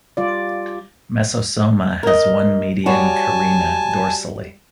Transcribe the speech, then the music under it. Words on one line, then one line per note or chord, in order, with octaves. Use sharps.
Mesosoma has one median carina dorsally.
G3 F4 D5
A#4 D#5
G3 F#4 C#5 G#5 A5